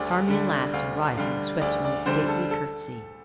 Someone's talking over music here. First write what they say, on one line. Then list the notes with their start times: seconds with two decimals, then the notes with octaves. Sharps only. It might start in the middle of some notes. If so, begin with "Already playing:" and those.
Charmian laughed, and, rising, swept me a stately curtesy.
Already playing: D2 D3 G3 D5
0.29 D3 G3
0.74 D2 F5
1.17 D3 G3 F5
1.61 D2 D5
1.85 D5
2.06 D3 G3 C5
2.28 A4
2.51 A4